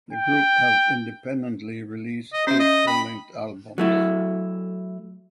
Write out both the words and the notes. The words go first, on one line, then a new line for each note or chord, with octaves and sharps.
The group have independently released eight full length albums.
G5
D#5
C#4 C5 E5
D#5
G5 B5
F#3 A3 E4